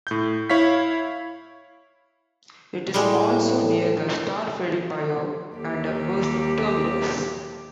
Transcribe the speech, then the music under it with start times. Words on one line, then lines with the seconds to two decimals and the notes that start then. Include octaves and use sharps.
It is also near the Star Ferry Pier and a bus terminus.
0.07 A2 G6
0.50 E4 C#5 F5 B6
2.94 A2 G3 G#3
5.56 D#2 G4